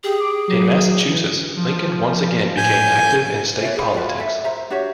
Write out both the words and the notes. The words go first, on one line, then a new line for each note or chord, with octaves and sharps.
In Massachusetts, Lincoln once again became active in state politics.
G4 G#4
D6
F#3
E3
F3
A2 G#5 G6
B4 C#5 D5 E5
G#4 C5 B5
F4 F#4 B4
A4 E5
C5 E5 A#5
D4 F#4 G4 C#5